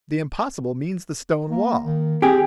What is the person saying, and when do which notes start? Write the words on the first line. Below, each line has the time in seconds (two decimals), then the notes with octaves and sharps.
The impossible means the stone wall!
1.50 A#3
1.85 D#3
2.22 C4 G4 G#4